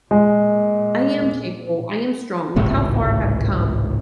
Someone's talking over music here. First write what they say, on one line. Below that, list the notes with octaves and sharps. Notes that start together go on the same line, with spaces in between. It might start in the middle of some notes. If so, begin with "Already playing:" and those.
"I am capable, I am strong, look how far I have come,"
A#2 G#3
G#1 C#2 A2 C3